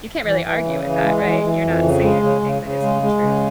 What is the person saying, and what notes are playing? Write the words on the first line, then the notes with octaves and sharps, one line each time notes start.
you can't really argue with that, right? You're not saying anything that isn't true.
E3
E3
C#3
E3
G#3
E3
E3
F2
C#3
G#3
C#3
C#3
C#3
G#3
G#3
C#3